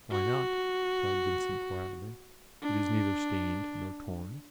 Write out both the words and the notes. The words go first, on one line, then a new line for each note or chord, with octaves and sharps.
"Why not?" replied Vincent quietly; "it is neither stained nor torn."
F#4
D4